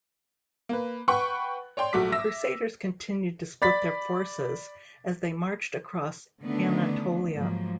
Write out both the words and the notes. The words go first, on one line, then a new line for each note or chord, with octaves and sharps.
The Crusaders continued to split their forces as they marched across Anatolia.
A#3 B4
B4 F#5 G5 B5 C#6 F#6
C#5 D5 G5 C6
A#1 F#3 A3 F#4 D6 B6
E5 E6 A#6
D5 B5 A6 B6
D3 D#3 A3 B3 C#4 D4
G#2 F3 F#3 A#3